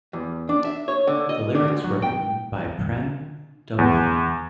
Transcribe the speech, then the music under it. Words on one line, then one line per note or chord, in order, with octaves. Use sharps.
The lyrics were written by Prem Dhawan.
E2
D4
E5
C#5
D3
D#5
D4
D2
F#3
G5
E2